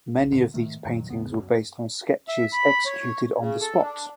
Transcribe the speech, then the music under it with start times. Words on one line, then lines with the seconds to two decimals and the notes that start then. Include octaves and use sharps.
Many of these paintings were based on sketches executed on the spot.
0.17 B1
0.32 F2 G#2 D3 D#3
0.54 A2 C3 D#3 A3
0.85 F#2 A#2 D#3 F#3
1.07 E1 C#2 B3
1.36 F#2
2.28 E5
2.53 B5
2.85 C#5
3.40 C#3
3.61 A4
3.82 D4